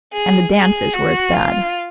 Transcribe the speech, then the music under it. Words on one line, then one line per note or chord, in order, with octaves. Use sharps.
And the dances were as bad.
G#4
G#4
F#4
F4